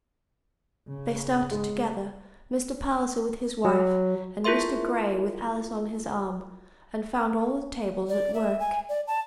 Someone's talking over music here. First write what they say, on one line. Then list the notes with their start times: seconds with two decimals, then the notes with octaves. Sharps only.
They started together, Mr. Palliser with his wife, and Mr. Grey with Alice on his arm, and found all the tables at work.
0.88 C#3
1.51 G#3
3.65 F#3
4.44 E4 F4 G#4 A#4 E5 C6
8.09 D5
8.34 E5
8.60 G#5
8.89 D5
9.07 A5